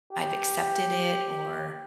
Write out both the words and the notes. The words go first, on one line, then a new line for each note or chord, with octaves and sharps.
I've accepted it, or,
G4